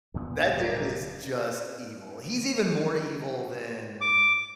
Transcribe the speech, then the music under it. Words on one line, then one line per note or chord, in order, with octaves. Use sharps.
That dude is just evil. He's even more evil than
D2 A#2 B3
D1 B2 D3 F#3 G3 A#3
D6